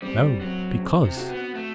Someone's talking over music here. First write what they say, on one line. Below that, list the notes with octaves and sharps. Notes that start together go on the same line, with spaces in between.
No, because.
G3 C4
F#3 C4
C4
C3
F#4
B3
A3